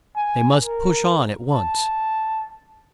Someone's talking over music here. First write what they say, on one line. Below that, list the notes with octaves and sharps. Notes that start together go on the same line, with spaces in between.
They must push on at once.
G#5
A#4
A5